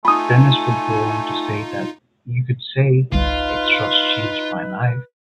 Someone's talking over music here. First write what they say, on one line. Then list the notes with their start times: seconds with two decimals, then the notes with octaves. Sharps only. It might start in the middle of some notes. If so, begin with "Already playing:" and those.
Dennis would go on to say that you could say Extras changed my life.
0.05 A3 D#4 F4 G#5 B5 D#6
3.12 G1 C2 D#4 F4 B4